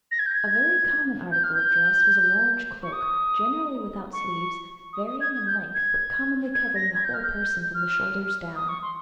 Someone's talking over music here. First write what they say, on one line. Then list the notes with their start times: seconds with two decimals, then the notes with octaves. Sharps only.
A very common article of dress was a large cloak, generally without sleeves, varying in length, but commonly covering the whole person from the shoulders down.
0.12 A#6
0.19 G#6
0.26 G6
0.34 G#6
1.32 G6
1.44 F6
1.55 G6
2.83 C#6
2.93 D#6
4.13 C#6
4.93 D#6
5.07 D#6
5.21 G#6
5.33 G#6
5.47 G6
5.74 G#6
6.54 G#6
6.75 A#6
6.94 G#6
7.05 G6
7.14 F6
7.24 G6
7.75 F6
8.56 D#6
8.69 C#6
8.82 C6